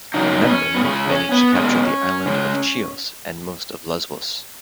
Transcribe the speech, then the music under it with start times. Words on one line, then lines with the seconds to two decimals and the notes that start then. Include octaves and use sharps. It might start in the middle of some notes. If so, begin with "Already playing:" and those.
Memnon managed to capture the island of Chios and most of Lesbos.
0.14 C#3 F#3 D#4
0.41 B3
0.50 C#4
0.75 B3
0.84 C#3 G#3 C#4
1.09 C#4
1.32 B3
1.55 B2 G#3 C#4
2.26 C#3 G#3